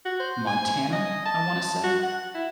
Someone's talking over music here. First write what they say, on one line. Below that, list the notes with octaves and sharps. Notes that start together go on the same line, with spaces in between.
Montana, I wanna say,
F#4
C5
G#5
D#5
A5
F#4
F#5
E4